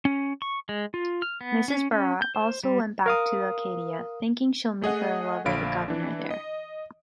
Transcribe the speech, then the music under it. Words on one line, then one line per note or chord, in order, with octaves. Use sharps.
Mrs Barrat also went back to Acadia, thinking she'll meet her lover the governor, there.
C#4
C#6
G#3
F4
F6
B3
C#4
C#4
G6
C5
G3
A#4 F5 D#6
A3 G#4 D#5 F#5
A#1 D3 F5 B5 D7
E3 D4
D#5